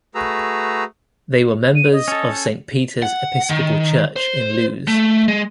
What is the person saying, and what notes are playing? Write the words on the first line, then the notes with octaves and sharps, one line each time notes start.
They were members of Saint Peter's Episcopal Church in Lewes.
A3 F#4 G#4 B4 A#5 E6
D#7
D#5
C#4 A4
F#5
D#3
C5
A3
G#3